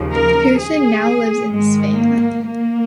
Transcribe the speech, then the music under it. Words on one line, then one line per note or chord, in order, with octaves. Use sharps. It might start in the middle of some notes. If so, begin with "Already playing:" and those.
Pearson now lives in Spain.
Already playing: D#2 C#3 F3
A#4
G#4
G#2 D#3 G#3
A#3
A#3